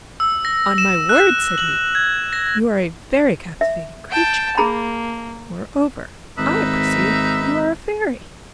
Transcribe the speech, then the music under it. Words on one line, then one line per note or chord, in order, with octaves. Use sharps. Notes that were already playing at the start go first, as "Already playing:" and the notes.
"On my word," said he, "you are a very captivating creature; moreover, I perceive you are a fairy."
E6
A#6
E7
F#6
F#7
G#6
A#6
E5
G5 A5
A#3 G#4 A#5 B5
G#1 D#4 B4 E5